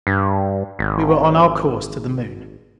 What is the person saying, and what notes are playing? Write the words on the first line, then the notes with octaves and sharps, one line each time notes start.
We were on our course to the Moon.
G2
G#1